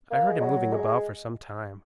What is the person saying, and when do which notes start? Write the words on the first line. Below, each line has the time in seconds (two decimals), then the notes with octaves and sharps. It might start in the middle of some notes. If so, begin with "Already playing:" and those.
I heard him moving about for some time.
0.11 A#3
0.28 G#3
0.42 F#3
0.73 G#3